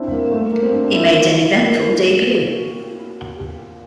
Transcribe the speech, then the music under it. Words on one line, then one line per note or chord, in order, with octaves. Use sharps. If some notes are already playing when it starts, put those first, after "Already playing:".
He made an eventful debut.
Already playing: C4 D4 E4
A#3
A3
A#3
A#3
C4
D4
D4
E4
F4
A#3